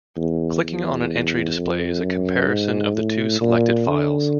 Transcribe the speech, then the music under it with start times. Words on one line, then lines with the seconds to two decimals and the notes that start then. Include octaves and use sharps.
Clicking on an entry displays a comparison of the two selected files.
0.17 E2
0.63 E2
1.56 F2
2.03 F#2
2.48 G#2
2.95 A2
3.41 A#2
3.88 D3